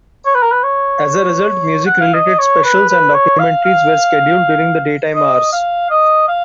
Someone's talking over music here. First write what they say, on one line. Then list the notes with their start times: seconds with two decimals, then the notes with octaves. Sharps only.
As a result, music-related specials and documentaries were scheduled during the daytime hours.
0.26 C#5
0.34 B4
0.42 A#4
0.52 B4
0.63 C#5
1.86 F#5
2.00 F5
2.14 D#5
2.39 C#5
2.64 B4
2.89 B4
3.14 C#5
3.39 F5
3.65 F5
5.15 D#5
5.53 F5
5.90 D#5
6.28 F5